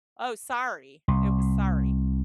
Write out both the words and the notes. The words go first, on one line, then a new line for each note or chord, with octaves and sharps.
oh, Sorry, it was Sorry.
C2